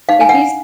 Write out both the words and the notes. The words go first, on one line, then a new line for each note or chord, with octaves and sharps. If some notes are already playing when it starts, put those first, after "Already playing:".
if he's
D#4 F5
G#5
F#5